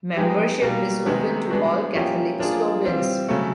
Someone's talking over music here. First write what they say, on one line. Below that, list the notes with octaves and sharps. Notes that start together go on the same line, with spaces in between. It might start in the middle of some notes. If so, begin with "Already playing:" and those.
Membership is open to all Catholic Slovenes.
G#3 B3 D#4 G4
B2 G3 A#3
C3 D#3 G#3 B3 D#4
G#3 B3 D4 F#4
F3 A#3 C#4 E4 G4
F3 A#3 D4 F4 G#4
E3 G3 C4 F4
C#3 F#3 A3